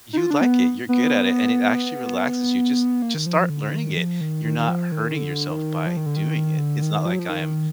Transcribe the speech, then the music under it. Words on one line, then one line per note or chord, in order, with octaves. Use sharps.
you like it, you're good at it, and it actually relaxes you, just just start learning it. You're not hurting yourself by doing it," it's not like I'm,
D#4
F4
D4
B3
B3
A#3
D#3
F3
D3
D#3
F3
D#3
D#3
D#3
F3
D#3
D3
D#3
F3
D#3
D3
D#3
D3
D#3
F3
F#3
F3
D#3